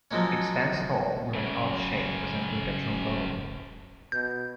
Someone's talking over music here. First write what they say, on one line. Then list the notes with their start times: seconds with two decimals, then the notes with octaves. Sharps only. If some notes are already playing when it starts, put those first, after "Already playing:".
It stands tall, with an odd shape resembling a trombone.
0.11 F3 F#3 G#3 A#3 C#4
1.34 F#2 C#3
4.12 B2 G6